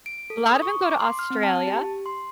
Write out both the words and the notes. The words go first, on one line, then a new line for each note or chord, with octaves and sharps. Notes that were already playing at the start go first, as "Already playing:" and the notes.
A lot of 'em go to Australia.
D7
A4
D#6
C#6
D6
C6
F6
C4
A5
A5
G4
C6